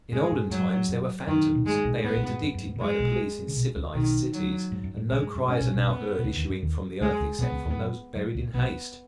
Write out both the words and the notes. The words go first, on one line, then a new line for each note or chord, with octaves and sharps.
In olden times there were fantoms; they are interdicted by the police in civilized cities and no cries are now heard issuing from the earth except from those buried in haste.
G#2 G#3
G#2
G#2 F#3
F#2
F#2 D#3
B2
G#2 G#3
B1 B2
G#2 B3
B1 B2
G#2
F#2
F#2
G#2
B2
G#2 G#3
B1 B2
C#3
B1 B2
C#2 C#3
B1 B2 D#3
F#3
G#2
F#2
G#2
B1 B2 G#3
G#2
F#2
G#2 C#4
B1 B2
B1 B2
B3
B2
C#2 C#3
D#2 D#3
F#2 F#3
D#2 D#3
C#2 C#3 G#3
C#2 C#3
B1 B2 B3
C#2 C#3
D#2 D#3
F#2 F#3
F#2 F#3
C#2 C#3
B1 B2 B3